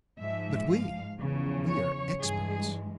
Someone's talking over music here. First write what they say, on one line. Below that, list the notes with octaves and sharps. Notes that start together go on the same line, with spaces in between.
But we! we are experts.
G#2 F3 G#3 E5
F5
E2 C#3 F3
C#5
G2 E3 G#3 G#4